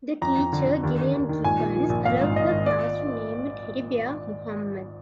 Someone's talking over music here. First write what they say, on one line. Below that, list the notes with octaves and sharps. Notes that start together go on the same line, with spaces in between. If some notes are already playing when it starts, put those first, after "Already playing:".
The teacher, Gillian Gibbons, allowed her class to name a teddy bear Muhammad.
F2 A#5
F2
D3
D3
D#2
D#2
D#2
D#3
A#1 G#5
A#2
F3
A#1
G#1 F5
G#2
G#1 D#5
G#1
D5